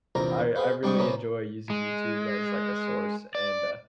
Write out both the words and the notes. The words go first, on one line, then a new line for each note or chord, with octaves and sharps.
I I really enjoy using YouTube as, like, a source, and, uh,
A#1 E2 C3 A#4 A#5
G#4 B4 C5
G#2 G3 D4 G5 C#6 D#6
C3 A#3 B3 C#4
G#3
D5